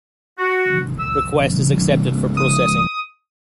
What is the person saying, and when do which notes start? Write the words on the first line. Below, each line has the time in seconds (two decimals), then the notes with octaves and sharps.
Request is accepted for processing.
0.39 F#4
1.00 E6
2.37 D#6